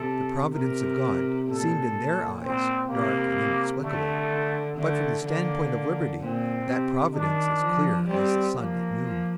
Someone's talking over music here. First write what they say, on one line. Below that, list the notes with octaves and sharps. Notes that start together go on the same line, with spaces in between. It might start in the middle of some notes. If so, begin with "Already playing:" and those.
The Providence of God seemed in their eyes dark and inexplicable; but, from the stand-point of Liberty, that Providence is clear as the sun at noon.
Already playing: C3 A4
C3 A#4
A#2 A4
A#2
C4
C3 A#3
D3 A3
D3 A3
D3 A#3
A#2 C4
C3
D#3 D4
F3
G3 C4
F3 A#3
F3